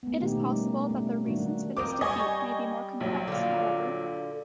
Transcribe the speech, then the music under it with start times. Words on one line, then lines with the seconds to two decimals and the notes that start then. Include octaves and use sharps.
It is possible that the reasons for this defeat may be more complex, however.
0.03 A3 B3
0.20 B2 D#3 A#3 D#4 G4
0.41 G3 A3 A#3 C#4 D#4
0.89 A3
1.26 D#3 G3 A#3 D4 D#4 F#4
1.77 F2 C4 A#4 D6 D#6
2.01 G3 D#5 G#5 C#6
3.00 A#1 F#3
3.28 D3 F4